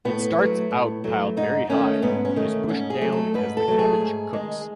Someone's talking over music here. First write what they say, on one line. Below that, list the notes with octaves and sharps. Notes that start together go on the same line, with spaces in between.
It starts out piled very high and is pushed down as the cabbage cooks.
A2 B3
F#3 A3
A2
F#3 A3
G#2 D#4
D#3 A3 C#4
G#2 B3
C#4
D#3 A3
G#2 C#4
G#4
F#3 A3
A4
G#2 B4
A4
F#3 A3
G#4
G#2
D#3 G#3